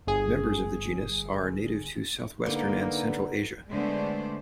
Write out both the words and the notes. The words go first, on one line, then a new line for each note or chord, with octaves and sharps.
Members of the genus are native to southwestern and central Asia.
G1 G#4
D3 A#3 B3 D#4
D3 G#3 A3 B3 D4 C5